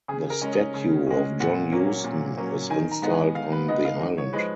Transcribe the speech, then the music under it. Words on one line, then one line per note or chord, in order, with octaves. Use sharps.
The statue of John Huston is installed on the island.
C#3 G#4
A#4
G#3 C#4
D#5
C#3
G#3 C#4
A#2 F#5
F#3 A#3 C#4
A#2
F#3 A#3 C#4
D#3 G#5
A#5
G#3 B3 D#4
G#5
D#3 F5
B4
G#3 B3 D#4 D#5
F5
G#2 D#5
C#5
F3 G#3 B4